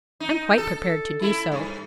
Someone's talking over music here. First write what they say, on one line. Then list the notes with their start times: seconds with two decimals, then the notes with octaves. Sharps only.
I'm quite prepared to do so.
0.20 D#4
0.58 A4
1.22 E4
1.52 G2